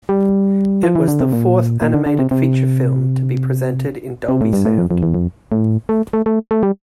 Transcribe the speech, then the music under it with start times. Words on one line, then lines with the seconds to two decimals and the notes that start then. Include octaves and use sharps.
It was the fourth animated feature film to be presented in Dolby sound.
0.09 G3
0.83 F3
0.95 E3
1.08 D3
1.20 C3
1.33 A#2
1.82 A#2
1.94 D3
2.06 D3
2.19 C3
2.31 C3
4.28 C3
4.41 A2
4.53 G2
4.65 A2
4.78 F2
4.91 F2
5.03 E2
5.14 F2
5.52 A2
5.89 A3
6.13 A3
6.26 A3
6.51 A3
6.63 G3